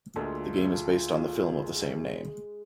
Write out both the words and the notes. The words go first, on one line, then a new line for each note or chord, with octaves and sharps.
The game is based on the film of the same name.
D2 G#3 A#3 D4 F4 A4